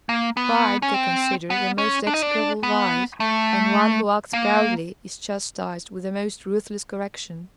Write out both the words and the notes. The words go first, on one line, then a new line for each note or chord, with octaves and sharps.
Pride they consider the most execrable vice, and one who acts proudly is chastised with the most ruthless correction.
A#3
B3
C#4
C4
B3
C#4
D4
D#4
D4
B3
A3
A#3